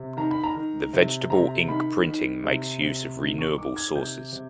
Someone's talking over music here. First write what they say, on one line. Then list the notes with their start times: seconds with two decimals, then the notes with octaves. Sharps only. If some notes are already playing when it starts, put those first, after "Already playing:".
The vegetable ink printing makes use of renewable sources.
Already playing: C3
0.17 D#3 A#5
0.31 B5
0.43 A#5
0.56 D#3
0.93 C3
1.30 C3 A#5
1.68 D#3 B5
2.07 D#3
2.44 C3
2.81 C3
3.20 D#3
3.38 C#6
3.57 D#3 D6
3.76 G#6
3.95 C3 G6
4.33 C3